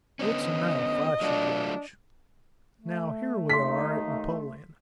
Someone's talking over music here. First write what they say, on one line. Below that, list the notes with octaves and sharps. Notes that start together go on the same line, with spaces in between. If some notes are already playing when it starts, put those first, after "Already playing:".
It's enough, I should judge. Now here we are at Napoleon.
D3 B3 C#4 D#5
F#3 A3 D4 F4
A3
D#2 A#3 D#4 C6 B6